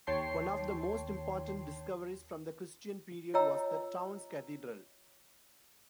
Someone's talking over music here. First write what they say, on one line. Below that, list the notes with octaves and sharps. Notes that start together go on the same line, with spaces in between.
One of the most important discoveries from the Christian period was the town's cathedral.
D#2 C#5 G5 A5 C6 C7
F4 C#5 D#5 G5 A#5 E6